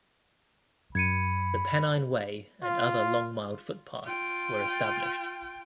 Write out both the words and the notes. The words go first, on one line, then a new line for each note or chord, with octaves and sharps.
The Pennine Way and other long-miled footpaths were established.
F#2 B5 G#6 C#7 D#7
F4
F4 G5